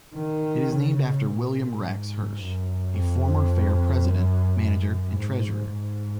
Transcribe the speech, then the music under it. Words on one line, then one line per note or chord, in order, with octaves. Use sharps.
It is named after William Rex Hirsch, a former fair president, manager and treasurer.
D#3
C#3
A#2
G#2
F#2
F2
F#2
F#2
G#2
G#2